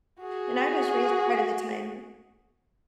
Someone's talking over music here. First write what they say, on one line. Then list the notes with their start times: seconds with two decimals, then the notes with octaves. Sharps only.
And I was raised part of the time
0.21 F#4 G#4